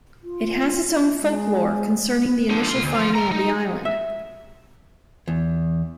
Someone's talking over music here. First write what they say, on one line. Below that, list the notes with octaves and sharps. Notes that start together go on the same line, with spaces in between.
It has its own folklore, concerning the initial finding of the island.
F4
G#3
D3 F3
C2 F4
D2
F3 F4
A4 A#5
D#4
E5
E2